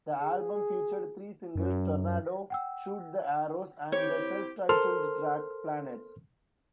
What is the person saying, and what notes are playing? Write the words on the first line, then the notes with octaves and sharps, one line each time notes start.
The album featured three singles: "Tornado", "Shoot the Arrows", and the self-titled track "Planets".
G#4
F#2
F#5 G5 E6
C4 E4 G4 C#5
A4 A#4 C5 C6 F6